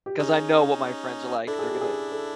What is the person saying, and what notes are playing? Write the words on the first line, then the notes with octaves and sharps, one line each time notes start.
'cause I know what my friends are like. They're gonna
G4
C#4 D#4 G#4
D4 E4 A4
G#4
G4
G#4
A4